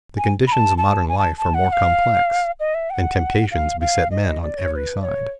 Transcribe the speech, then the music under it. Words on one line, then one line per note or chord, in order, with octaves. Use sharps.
But the conditions of modern life are more complex, and temptations beset men on every side.
G#5
B5
A5
A5
G#5
A5
A5
F#5
F#5
F5
D#5
E5
G5
F#5
F5
F5
D#5
D5
C#5
C#5
B4
D5
C#5